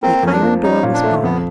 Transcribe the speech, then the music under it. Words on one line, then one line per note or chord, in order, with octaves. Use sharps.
The iron door was barred.
A#3 C4
F2 C#4
D4
F3
C#4 D#4
A#2
D4
A3
F2 B3